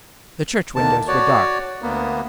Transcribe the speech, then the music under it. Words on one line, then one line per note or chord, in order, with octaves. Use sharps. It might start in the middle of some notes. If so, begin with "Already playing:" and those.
The church windows were dark.
D#2 D3 D#3 A5
F#4 C#5 D5
D2 A#3 B3